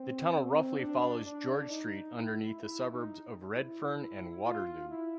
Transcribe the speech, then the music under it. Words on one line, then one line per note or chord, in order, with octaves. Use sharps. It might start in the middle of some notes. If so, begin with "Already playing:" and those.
The tunnel roughly follows George Street underneath the suburbs of Redfern and Waterloo.
Already playing: C4
C4
D4
D4
D#4
E4
E4
D#4
E4
F4
E4